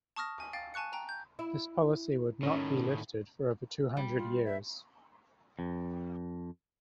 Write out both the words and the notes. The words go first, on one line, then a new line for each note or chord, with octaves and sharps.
This policy would not be lifted for over two hundred years.
A5 C#6 D#6 F6 A#6
G#5
F5 G5 A6
G#5 A5 C#6 F#6 C#7
G5 A#5
G6
E4
A2 D#3 C#4
G3
F4
E5
F2